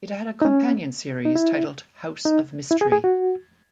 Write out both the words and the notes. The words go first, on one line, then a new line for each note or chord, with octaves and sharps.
It had a companion series titled "House of Mystery".
D#4
C#4
D#4
E4
D#4
E4
G#4
G#4
F#4